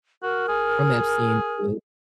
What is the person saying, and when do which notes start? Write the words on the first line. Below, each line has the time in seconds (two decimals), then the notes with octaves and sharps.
from Epstein through
0.23 F#4 A#4
0.48 G#4